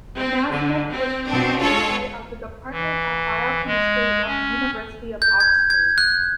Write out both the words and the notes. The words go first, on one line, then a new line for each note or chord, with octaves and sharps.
Nasmyth was formerly head of the Department of Biochemistry of the University of Oxford.
C4
D3
C4
B2 C4 D4
G#3 F4 A4 C#5
E3
G#3
C#4
G6
G#6
G#6
F#6